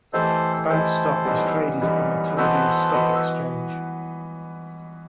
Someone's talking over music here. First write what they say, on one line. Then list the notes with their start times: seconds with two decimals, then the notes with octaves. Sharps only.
The bank's stock is traded on the Tel Aviv Stock Exchange.
0.13 E3 A3 E4 G4 A4 C5 D#5
0.69 E3 A3 E4 G4 A4 C5 D#5
1.25 F#2 E3 G3 B3 D#4
1.81 F#2 E3 G3 B3 D#4
2.37 E3 B3 F#4 A4 B4 C5 D#5
2.94 E3 B3 F#4 B4 D#5